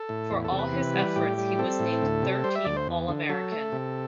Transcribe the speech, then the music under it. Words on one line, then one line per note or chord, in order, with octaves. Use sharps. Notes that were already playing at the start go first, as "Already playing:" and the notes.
For his efforts, he was named Third Team All-American.
Already playing: A4
A2
E2
A4
C3
B4
E3
G3
A2 G4
G3
C4 A4
A2
D2
C3
G3 C5
E5
D2 D5
C5
E2
D3
F#3 A4
A3
C3